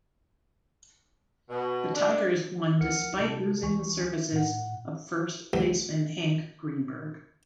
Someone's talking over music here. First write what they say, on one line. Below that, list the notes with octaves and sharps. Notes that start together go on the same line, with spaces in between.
The Tigers won despite losing the services of first baseman Hank Greenberg.
B2
D4
D2 F3 A#4 F#5 F6 C#7
C3 G#3 A4 A5
D2 E3 G#5 C#6
E5
A2 F#5
C2 E3 F#3 G3 A3 B3